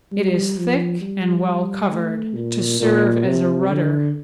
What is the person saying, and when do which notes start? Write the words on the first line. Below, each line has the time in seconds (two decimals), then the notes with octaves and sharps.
It is thick and well covered, to serve as a rudder.
0.13 G3
0.57 F3
1.01 G3
1.91 A3
2.35 A#2
2.80 A#2
3.25 C3
3.70 D3